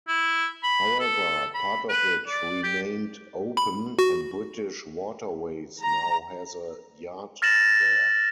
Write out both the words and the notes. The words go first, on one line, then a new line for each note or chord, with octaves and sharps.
However, part of it remained open and British Waterways now has a yard there.
E4
B5
A4
B5
B4
D5
G4
B5
F#4
A#5
F6 A6 A#6 E7 F#7